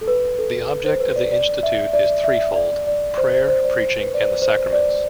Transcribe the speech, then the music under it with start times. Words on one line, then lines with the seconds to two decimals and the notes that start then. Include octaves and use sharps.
The object of the institute is threefold: prayer, preaching, and the sacraments.
0.01 A4
0.08 B4
0.39 A4
0.69 B4
0.85 C5
1.00 B4
1.16 D5
1.32 D5
1.63 E5
1.93 D5
2.24 E5
2.56 D5
2.87 D5
3.18 C5
3.32 C5
3.49 C5
3.64 D5
3.80 C5
4.00 B4
4.14 D5
4.20 C5
4.42 C5
4.73 D5